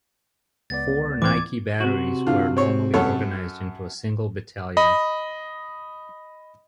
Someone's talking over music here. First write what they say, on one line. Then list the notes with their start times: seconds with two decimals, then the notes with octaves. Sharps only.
Four Nike batteries were normally organized into a single battalion.
0.70 C#2 B3 D5 A6
1.22 E3 C4 D6 G#6
1.80 C3 F#4
2.27 D3 F4
2.57 C4 C#5
2.94 F#2 A4 C#5
4.77 D#5 B5